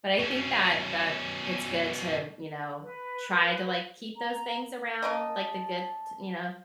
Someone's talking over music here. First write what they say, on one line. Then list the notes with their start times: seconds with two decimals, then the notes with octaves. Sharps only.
But I think that that it's good to, you know, try to, like, keep those things around, like, good t you know,
0.20 B2 C#4
2.83 B4
4.16 A#5
5.02 C#3 A#4 D#5 A5